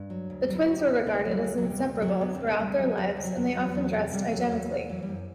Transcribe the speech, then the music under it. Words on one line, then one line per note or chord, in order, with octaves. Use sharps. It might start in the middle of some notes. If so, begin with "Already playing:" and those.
The twins were regarded as 'inseparable' throughout their lives, and they often dressed identically.
Already playing: G2
F#3
D2
G3
F#3
E4
D2 F#4
G4
C3 E4
D2 B3
A3
F#3
G3
D2 G3
F#3
C3
G3
B3
D2 A3
G3
F#3 A3
B3
D2 B3
C4
C3
B3
D2 G3
F#3
D2 F#3
G3
C3
F#3
E2 F#3
G3
F#3
G3
E2 F#3
C3
E2 G3
G3
F#3
A3
E2 A3
C3
E3 F#3
A3
G3
F#2